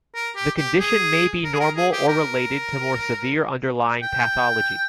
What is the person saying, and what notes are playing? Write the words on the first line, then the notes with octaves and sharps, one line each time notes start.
The condition may be normal or related to more severe underlying pathology.
A#4
G4
G4
G#4
A#4
G#4
A#4
G#4
G4
A#4
G5